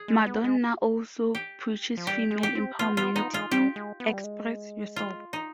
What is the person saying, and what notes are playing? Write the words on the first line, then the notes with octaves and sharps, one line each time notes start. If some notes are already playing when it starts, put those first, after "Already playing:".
Madonna also preaches female empowerment in "Express Yourself".
Already playing: G#4
G#3
B3
G#3
G4
F3
G3 G4
G#3
G4
C4
B3 F4
B3 F4
B3 D#4
G#3 F4
G3 G4
G#3
B3
G3
G#3
F4
D#4